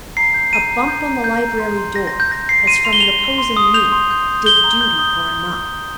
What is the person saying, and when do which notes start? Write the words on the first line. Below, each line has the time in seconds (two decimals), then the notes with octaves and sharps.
A bump on the library door, as from an opposing knee, did duty for a knock.
0.17 A#5 C7
0.34 G6
0.53 A#5 D#7
0.71 A#5
0.88 G6
1.06 A#5
1.24 G6
1.42 A#5
1.60 C6
1.78 C6
1.96 C6 A#6
2.07 A#6
2.13 C6
2.20 G6
2.31 G6 A#6
2.49 G6 C7
2.67 C6 D#7
2.85 C6 F7
2.93 G7
3.00 C6 F7
3.20 C6
3.38 C6
3.56 D#6
3.74 G6 F7
3.92 C6
4.11 G6
4.28 D#6
4.46 G6 G7
4.64 A#5
4.81 G6
4.99 D#6